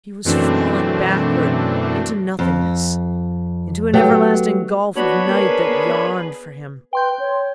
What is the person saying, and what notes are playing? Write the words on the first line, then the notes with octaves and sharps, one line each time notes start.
He was falling backward into nothingness, into an everlasting gulf of night that yawned for him....
F#2 B2 E3 A3 C4 D4
F2
F#3 A3 B3 G4
B3 D4 F#4 C#5 B5
B3 G#4 A#4 B4
B4 G5 C6 G6
C#5